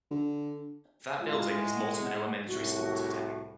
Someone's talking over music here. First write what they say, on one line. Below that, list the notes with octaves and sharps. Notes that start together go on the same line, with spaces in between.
That building is Moulton Elementary School today.
D3
A2 G#3 F4
F#5
C2 A2 F#4